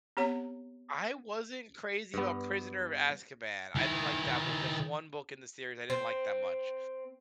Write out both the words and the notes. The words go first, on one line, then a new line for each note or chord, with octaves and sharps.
I wasn't crazy about Prisoner of Azkaban, I didn't like that book. That's the one book in the series I didn't like that much.
B3 C4 G4 C#5 F#5 A#5
G2 B3
D#3 E4
C4